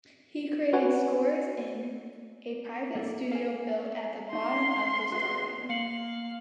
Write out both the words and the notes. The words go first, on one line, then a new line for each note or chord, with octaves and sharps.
He creates scores in a private studio built at the bottom of his garden.
F#4 B4 C#5 F#5 G#5
A#3 A4 A#4
F5 G#5
D#4 C6
F5
F#4 G#4 B4 C6
A#3 F5 C7 C#7 F#7